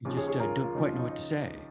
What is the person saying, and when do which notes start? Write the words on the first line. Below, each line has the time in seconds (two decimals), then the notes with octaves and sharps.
You just, uh, don't quite know what to say.
0.05 D#2 C#3 F3
0.17 G#4 C#5
0.28 G#4 C#5
0.40 F4 A#4
0.63 F4
0.74 D#2 C#3 F3 D#4
0.86 F4
0.97 D#4
1.09 D#4